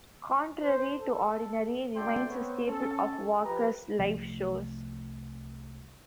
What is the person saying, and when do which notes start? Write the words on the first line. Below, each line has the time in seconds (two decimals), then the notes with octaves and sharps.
"Contrary to Ordinary" remains a staple of Walker's live shows.
0.63 C5
1.00 A4
1.96 C#3 A3 F#4 D5 G5 C6
2.29 B3 C4 C#5
2.67 C#4 A4
3.44 F3 G4 B4 A#5
3.99 C2 F3 A3